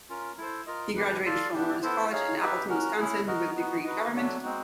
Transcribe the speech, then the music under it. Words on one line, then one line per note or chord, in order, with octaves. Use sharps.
He graduated from Lawrence College in Appleton, Wisconsin with a degree in Government.
C#4 F4 A#4
E4 A4 C5
F4 A#4 D#5
D4 G4 B4
F4 A4 D5 F5
B3 D4 G4
B3 E4 A4 C5
D#4 G#4 C#5 F5
D#4 G4 B4 E5
C#4 F#4 A#4
C#4 E4 G#4
D#4 F#4 A#4 D#5
B3 D#4 F#4
D#4 F#4 B4 D#5
F#3 A3 D4 F#4
G#3 C4 D#4 F#4